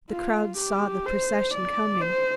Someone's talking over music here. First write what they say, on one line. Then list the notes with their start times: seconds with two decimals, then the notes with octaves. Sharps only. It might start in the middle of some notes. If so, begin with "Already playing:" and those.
The crowds saw the procession coming.
0.11 F4
0.58 G4
1.07 C5
1.54 D5
2.02 C5